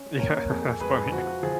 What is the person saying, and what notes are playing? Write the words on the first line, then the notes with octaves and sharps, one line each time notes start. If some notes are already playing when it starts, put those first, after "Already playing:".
Yeah, that's funny.
Already playing: C#4
A#2 A#4 C#5
F2 G#4
G#3 G#4 B4
F3 F#4
F3 G#4